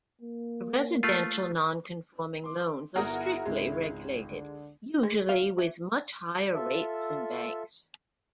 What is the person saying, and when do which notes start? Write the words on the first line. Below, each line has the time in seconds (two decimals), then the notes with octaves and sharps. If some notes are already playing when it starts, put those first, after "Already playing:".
Residential non-conforming loans are strictly regulated, usually with much higher rates than banks.
0.21 A#3
1.03 A3 F4
2.44 C6 D6
2.95 G1 E4 F#4 G#4 A#4 A#5 D#6
3.46 G#1 C#2 G#3
4.23 D3
5.03 G#3
5.29 F5
5.58 E3
6.54 F4 A4 E5